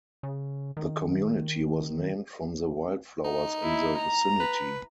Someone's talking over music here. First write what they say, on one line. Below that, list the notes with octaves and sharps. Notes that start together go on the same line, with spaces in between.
The community was named from the wildflowers in the vicinity.
C#3
D#3
D#4
E4
A#5
B4